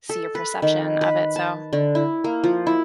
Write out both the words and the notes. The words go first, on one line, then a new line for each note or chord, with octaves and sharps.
see your perception of it, so I
A4
B4
D#3
B4
A5
D3
E4
A#3
F3
E4